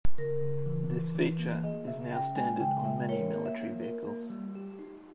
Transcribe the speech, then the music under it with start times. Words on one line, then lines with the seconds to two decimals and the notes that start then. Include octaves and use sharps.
This feature is now standard on many military vehicles.
0.18 C#3 A#4
0.42 C#3
0.66 E3
0.91 E3
1.15 E3
1.39 A#3
1.63 G#4 D#5
1.87 C#3 E5
2.12 C#4 G5
2.36 G#3 G#5
2.60 C#3 G5
2.85 G#3 E5
3.09 A#4 C#5
3.34 A#3
3.46 E5
3.58 A#3
3.83 A#4
4.07 A#3
4.30 G3
4.55 G4
4.79 D#4